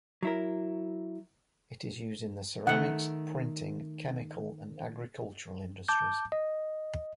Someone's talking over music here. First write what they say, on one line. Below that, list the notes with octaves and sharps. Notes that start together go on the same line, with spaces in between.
It is used in the ceramics, printing, chemical and agriculture industries.
F#3 E4 A#4
D#3 A3 F#5
A5 D6 G6
D#5